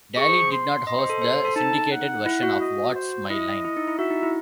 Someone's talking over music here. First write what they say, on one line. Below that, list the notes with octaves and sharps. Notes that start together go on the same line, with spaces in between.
Daly did not host the syndicated version of What's My Line?
G#4 C#6
C5
C6
D#5 C6
C5
A4
C5
C5
A4
D#4 A5
F#5
E4
F#4
D#5
C5
E4 D#5
E4
D#4
E4
F#4 E5
D#4
E4